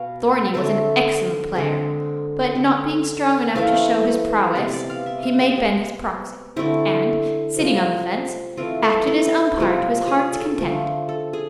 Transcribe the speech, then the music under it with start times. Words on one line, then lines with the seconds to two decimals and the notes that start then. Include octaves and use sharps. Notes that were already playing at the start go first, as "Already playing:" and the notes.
Thorny was an excellent player, but, not being strong enough to show his prowess, he made Ben his proxy; and, sitting on the fence, acted as umpire to his heart's content.
Already playing: B2 B3 F5
0.54 D3 A3 C4 E5
1.55 D3 G#3 C4
2.55 D3 G#3 C4
3.55 E3 A3 C4 F5
4.55 C3 G#3 B3 D5
4.73 D5
4.89 F5
5.06 E5
5.23 F5
5.40 G#4
5.56 C3 G#3 B3
6.56 D3 A3 C4 E4
7.56 C3 F3 G#3 C4
8.57 E3 A3 C4 F4
8.83 A4
9.07 E4
9.58 C3 F3 G#3 C4
10.08 G#4
10.33 A4
10.58 D3 F3 A3
11.09 A4
11.33 G#4